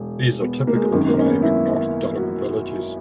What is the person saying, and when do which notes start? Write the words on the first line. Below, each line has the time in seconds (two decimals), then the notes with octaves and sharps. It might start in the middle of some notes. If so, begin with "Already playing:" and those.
These are typical of thriving North Durham villages.
Already playing: E1
0.42 B3
0.67 A#3
0.75 G#3
0.84 A#3
0.92 G#1 F#2 D#3
1.08 A#3
1.19 C#4
1.25 B3
1.42 E4
2.17 F#4